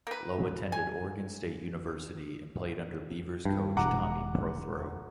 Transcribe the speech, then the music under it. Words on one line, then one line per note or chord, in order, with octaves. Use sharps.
Lowe attended Oregon State University and played under Beavers coach Tommy Prothro.
A#3 B4
G#5
G2
E1 F#5 A#5 D6